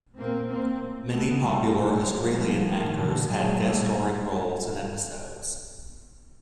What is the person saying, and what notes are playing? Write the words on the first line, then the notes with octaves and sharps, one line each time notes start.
Many popular Australian actors had guest starring roles in episodes.
A#2 A#3 C4
A#2 A#3 C4
A2
A#2 A3 B3
A#2 G3 A3
A#2
A#2 F#3 G#3
A2 F3 G3
A2 D#3 F3
A#2 D3 E3
A#2 F#3 G#3
A#2 G3 A3